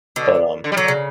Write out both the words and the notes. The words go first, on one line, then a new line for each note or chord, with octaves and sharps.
but, um,
B2 D3
D3
G3
D3 F#3
C#3